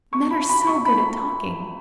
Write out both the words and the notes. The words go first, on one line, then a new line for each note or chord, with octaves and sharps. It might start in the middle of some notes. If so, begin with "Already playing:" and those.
Men are so good at talking!
C#6
B5
B5
C#6
B5